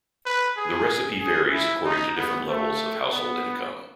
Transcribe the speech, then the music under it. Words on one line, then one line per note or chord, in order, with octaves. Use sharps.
The recipe varies according to different levels of household income.
B4
G#4
G#4
E4
D#4
B3
A3
B3